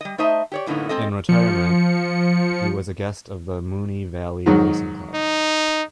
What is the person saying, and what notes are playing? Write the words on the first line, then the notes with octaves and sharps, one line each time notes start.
In retirement, he was a guest of the Moonee Valley Racing Club.
G3 D#5
A3 D#4 C5 D#5 E5 A5
G4 C#5 D5
F#2 A2 D3 A#3 B3 D#4
G#3 C4 A4 D#5
F3 C#7
G#2 D#3 F#3
D#4